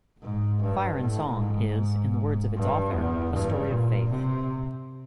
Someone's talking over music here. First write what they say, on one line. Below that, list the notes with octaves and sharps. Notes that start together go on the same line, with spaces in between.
"Fire and Song" is, in the words of its author, "a story of Faith".
G#2
G2
A2
G#2
G2
E2
G2
A#2
C3